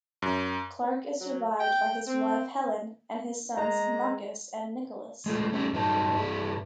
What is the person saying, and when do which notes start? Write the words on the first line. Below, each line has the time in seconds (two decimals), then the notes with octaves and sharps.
Clarke is survived by his wife Helen and sons Marcus and Nicolas.
0.22 F#2
1.20 F#3
1.58 G5
2.07 C4
3.57 G#3 A#5
5.26 G#3 A3 F4
5.52 G3 A3 C#4 D#4 G4 E5
5.73 G2 F#3 D#4 G4 A5
6.16 G2 G3 E4